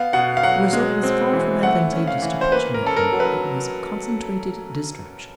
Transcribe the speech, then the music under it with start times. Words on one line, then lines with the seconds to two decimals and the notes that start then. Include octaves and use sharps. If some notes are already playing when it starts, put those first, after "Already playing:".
The result was far from advantageous to picture making; it was concentrated distraction.
Already playing: B3 F5
0.13 B2 F#5
0.37 F5
0.43 F#3 F#5
0.73 G#3
1.03 C4
1.33 E3
1.63 A3 F#5
1.92 C#4
2.08 F5
2.22 E3
2.41 C5
2.52 A#3 B4
2.74 A#4
2.82 C#4 A4
2.97 A#4
3.13 F#3
3.20 B4